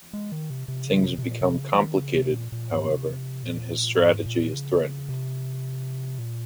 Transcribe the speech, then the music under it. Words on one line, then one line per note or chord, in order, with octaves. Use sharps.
Things become complicated, however, and his strategy is threatened.
G#3
D#3
C3
C3
C#3
C3
C3
A#2
C3
C#3
F3
D#3
C#3
C3
A#2
A#2
G#2
C3
A#2
G#2
A#2
C#3
C3
A#2